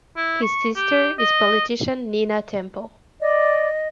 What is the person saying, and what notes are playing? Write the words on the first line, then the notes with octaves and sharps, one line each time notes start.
His sister is politician Nina Temple.
E4
C#6
G4
D#5
D5 D#5